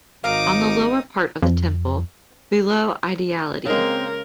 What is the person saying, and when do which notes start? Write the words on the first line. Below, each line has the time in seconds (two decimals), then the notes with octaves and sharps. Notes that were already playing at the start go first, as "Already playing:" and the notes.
On the lower part of the temple, below Ideality.
0.24 G#1 D#4 A#4 F5 D6 D#6
1.42 F2
3.66 C#3 G#3 A#3 C4 A#4